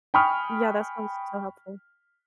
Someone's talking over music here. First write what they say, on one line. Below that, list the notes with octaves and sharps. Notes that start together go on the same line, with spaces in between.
Yeah, that sounds so helpful.
G5 G#5 B5 C#6 D#6 F6